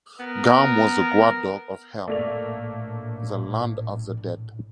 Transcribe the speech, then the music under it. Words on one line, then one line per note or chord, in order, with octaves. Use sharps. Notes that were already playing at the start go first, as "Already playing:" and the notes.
Garm was the guard dog of Hel, the land of the dead.
B3 A#4
A#1 A2 A3 A#3 A4 D5 F7